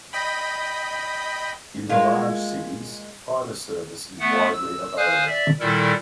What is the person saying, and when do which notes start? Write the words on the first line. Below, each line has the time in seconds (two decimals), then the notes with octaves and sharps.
In the large cities, fiber service is widely available.
0.13 D#5 G5 B5
1.89 G#3 A#3 F4
4.20 A3 B3 F#5
4.54 E6
4.97 C5 F5 G#5 D#6 F6 F#6
5.27 D5 E5
5.60 A#2 D#3 G3 E4 A4 A#4